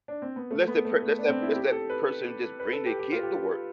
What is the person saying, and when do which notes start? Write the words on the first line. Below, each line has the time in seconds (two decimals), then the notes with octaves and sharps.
Unless that per less that less that person just bring their kid to work,
0.08 D4
0.22 C4
0.36 B3
0.51 A3
0.68 B3
0.85 A3
1.02 A3
1.19 D4
1.28 C4
1.42 E4
1.56 G4
1.72 A4
1.90 B4
2.60 B4
2.73 A4
2.86 G4
2.99 G4
3.12 F4
3.23 G4
3.34 F4